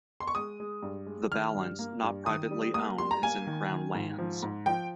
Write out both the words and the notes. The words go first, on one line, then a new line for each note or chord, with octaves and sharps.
The balance, not privately owned is in Crown Lands.
C6
C#6
G#3 D#6
G#3
G2
G#3
D#3 F6
G2
A#3
G2
D#3 D#6
G3
A#3 D#6
G3 C6
A#5
A#3 G#5
D#3
D#3
G#2
F3
G#2
F3 G5